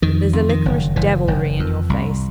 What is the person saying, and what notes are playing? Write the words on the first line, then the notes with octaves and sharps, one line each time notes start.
There's a liquorish devilry in your face.
F2 D#3
F2
D#3
F#1
F#1 E3
F#1
F2
C2